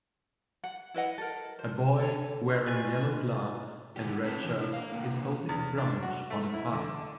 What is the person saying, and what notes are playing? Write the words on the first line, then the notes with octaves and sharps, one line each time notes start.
A boy wearing yellow gloves and a red shirt is holding a branch on a path.
F#5
E4 B4 D#5 F#5
A4 A#4
C5
A4 C#5
F4 B4 D5 G#5 C#6
B2 D3 D#3 G3 G4
C4 A4 B4 C#5 A5
E3 F#3 G3 D4
D4 E4
A#4 F5
B2 D3 A#3
E2
D4
F#4
A3
E4
D3